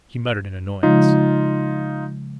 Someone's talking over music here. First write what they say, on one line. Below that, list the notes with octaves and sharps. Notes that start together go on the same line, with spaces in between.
He muttered in annoyance.
C#3 F3 G#3 D#4 F4